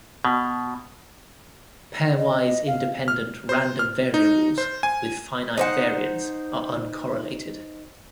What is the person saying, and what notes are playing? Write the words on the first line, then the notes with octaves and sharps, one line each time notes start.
Pairwise independent random variables with finite variance are uncorrelated.
B2
D#5
F5
F6
C5
F6
D#4
C5
G#5
D#4 C5 F#5